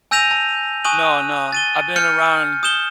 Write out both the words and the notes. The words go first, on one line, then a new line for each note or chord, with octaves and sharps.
No, no, I've been around
G#5 E6 G6 A#6 D#7 F7
A5
G#5 C#6 D#6 F#6 D#7 F#7
A6 D#7 G7
F6 G6 C#7
D#6 G6 E7 G7